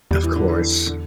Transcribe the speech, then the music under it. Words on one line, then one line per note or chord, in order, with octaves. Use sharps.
Of course.
E2 G3
E3
D3
E3
D3